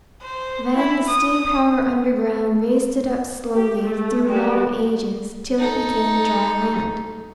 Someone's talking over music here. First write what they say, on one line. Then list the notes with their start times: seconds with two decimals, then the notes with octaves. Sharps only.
Then the steam-power underground raised it up slowly, through long ages, till it became dry land.
0.22 C5
0.76 E4
1.08 D#6
3.55 G4
3.85 A3
4.27 G3 G#3 B3 F#4 G4
5.58 D#4 A4